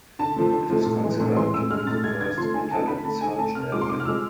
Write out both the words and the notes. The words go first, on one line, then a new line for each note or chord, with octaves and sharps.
It is considered to be the first Internet search engine.
D3 A5
F3 A3
D3
F3 A3
A2
E3 G#3
A2
E3 G#3 C6
A2 E6
G#3 F6
A2 A6
G#3 G#6
D3 G#6
F3 A3 C6
D3 G#5
F3 A3 A5
D3 B5
A3 A5
D3 G#5
A3 A5
C3 F6
F3 G#3 D6
C6
C3 D6
F6
F3 G#3 E6